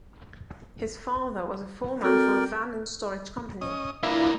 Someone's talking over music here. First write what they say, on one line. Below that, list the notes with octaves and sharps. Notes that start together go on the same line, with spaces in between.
His father was a foreman for a van and storage company.
C4 F#4 A4 A#4 D5 G5
C#4 D#5 D#6
E3 A#3 D4 E4 F4 B4